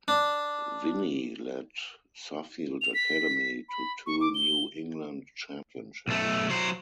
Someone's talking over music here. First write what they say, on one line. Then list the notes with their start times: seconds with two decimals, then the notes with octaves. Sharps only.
Vinny led Suffield Academy to two New England championships.
0.08 D4
2.81 F7
2.94 B6
3.69 B5
4.06 C#6
4.21 D6
4.35 G7
6.08 B1 A3
6.50 F#3 C5